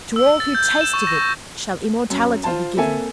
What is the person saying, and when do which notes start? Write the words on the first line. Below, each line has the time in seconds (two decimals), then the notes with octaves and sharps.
'To all who taste of it shall immortality be given.
0.16 E6
0.40 A6
0.55 G6
0.81 E7
0.94 C#6
1.07 A#6
2.10 F#2
2.43 F4 C5 A5
2.77 A#3 C4 A4 E5 G#5